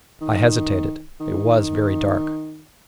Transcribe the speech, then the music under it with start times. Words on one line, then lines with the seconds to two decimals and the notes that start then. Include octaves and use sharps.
I hesitated: it was very dark.
0.21 D#3
1.20 D#3